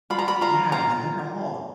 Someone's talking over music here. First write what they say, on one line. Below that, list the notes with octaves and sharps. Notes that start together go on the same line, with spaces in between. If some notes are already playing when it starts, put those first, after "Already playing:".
Yeah, and they're all
F4 B5
A#5
B5
F4 A#5
F4 A#5